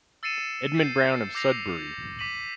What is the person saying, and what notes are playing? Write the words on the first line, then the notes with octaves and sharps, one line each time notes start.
Edmund Brown of Sudbury.
E6 A6 C7 C#7 D#7 E7
G6 C7
D6 E6 G6 A#6 C7 F7
D6 B6 D#7 F#7